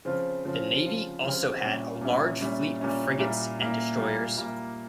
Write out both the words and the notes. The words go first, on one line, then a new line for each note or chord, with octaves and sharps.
The navy also had a large fleet of frigates and destroyers.
C#3 F3 C4 F4
C#3 F3 C4 F4
C#3 F3 C4 F4
C#3 F3 C4 F4
A#2 G3 C#4 E4
A#2 G3 C#4 E4
A#2 G3 C#4 E4
A#2 G3 C#4 E4
A#2 G3 A#3 E4
A#2 G3 A#3 E4
A#2 G3 A#3 E4
A#2 G3 A#3 E4